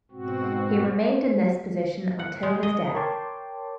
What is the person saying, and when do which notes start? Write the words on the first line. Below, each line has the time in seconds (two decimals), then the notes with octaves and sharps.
He remained in this position until his death.
0.11 G#2 B2 C4 F#4
2.19 F#5
2.43 G#3
2.63 D#5
2.95 A#4 C#5 G5 A5 C6 D6